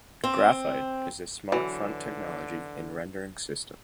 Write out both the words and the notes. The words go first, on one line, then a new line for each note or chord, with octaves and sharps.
Graphite is a smart-font technology and rendering system.
C4
D3 E3 F#3